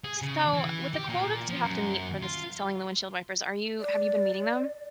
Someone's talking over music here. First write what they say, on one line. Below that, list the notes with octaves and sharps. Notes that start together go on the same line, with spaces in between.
So, with the quotas you have to meet for the s selling the windshield wipers, are you have you been meeting them?
G#4
C#3
E3
G4
A#2
F3
F#2
F4
D5